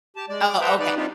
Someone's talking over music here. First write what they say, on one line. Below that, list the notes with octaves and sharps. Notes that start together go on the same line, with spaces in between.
Oh, okay.
G4 A5
G#3 D5
D6
A4 B4 C5 E5 G5 A#5
D#4 B4 D5
G3 C4 D4 D#4 F4 G4